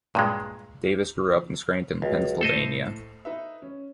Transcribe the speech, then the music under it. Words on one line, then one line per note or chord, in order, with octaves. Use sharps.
Davis grew up in Scranton, Pennsylvania.
G2 A#2 G#3
C#2 F#3
A2 A3 A4 C5 D#5
D#4 B4 E5
C#4